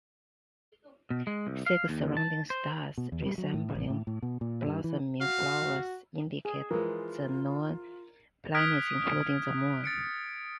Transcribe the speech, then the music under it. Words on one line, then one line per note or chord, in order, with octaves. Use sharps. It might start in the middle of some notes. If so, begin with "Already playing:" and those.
Six surrounding stars, resembling blossoming flowers, indicate the known planets including the Moon.
B2
G#3
C2
F5
D#2
A5
C5
B2
E2
G3
F#3
A2
A1
A2
A2
B2
A#2
G2
E3
F#4 F5
G#4
E3 F3 G#3 F4 A#4
D#6 F6 F#6 G#6 B6 D7
A6 C#7 D7